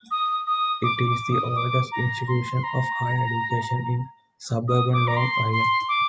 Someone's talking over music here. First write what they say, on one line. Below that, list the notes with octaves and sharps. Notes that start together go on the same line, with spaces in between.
It is the oldest institution of higher education in suburban Long Island.
D#6
D#6
D6
D6
D#6
D6
A#5
C6
C6
A#5
D#6
D6
A#5
C6
C6
D6